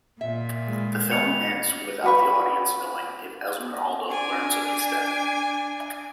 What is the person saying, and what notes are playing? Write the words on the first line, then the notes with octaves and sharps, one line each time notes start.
The film ends without the audience knowing if Esmeralda learns of his death.
A#2 E5
A2 D#3 G#3
D#3 B3 C#5 C#7 F7
F#4 B4 C#6
D4 G#5